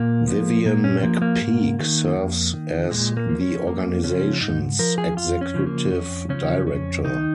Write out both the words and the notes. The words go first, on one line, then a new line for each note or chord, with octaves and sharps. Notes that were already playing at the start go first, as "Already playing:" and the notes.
Vivian McPeak serves as the organization's executive director.
Already playing: A#2 A#3
F3
A#2 A#3
C#4
F3 A#3
A#3
G#2
D#3
F2
D#3
A#2 G#3
A#3
F3
C#4
F2 A#3
C#3 F3 C#4
G#2 D#4
F3 A#4
G#4
F2 F4
C#4
C#3 F3
A#3
F2 C#4
C#3 F3 C#4
F2 C#4
D#3 D#4